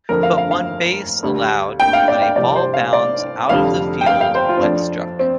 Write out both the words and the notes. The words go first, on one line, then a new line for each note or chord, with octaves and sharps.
But one base allowed when a ball bounds out of the field when struck.
F2 D3 F3 A#4
F5
F5
F5
D2 D3 G3
G5
F5
D5
F5
C2 C3 F3 D5
C5
F5
D5
F1 F2 D3 G3 F5
G5
F5
F5
C5
F4
C4
F2 F3 D4
C4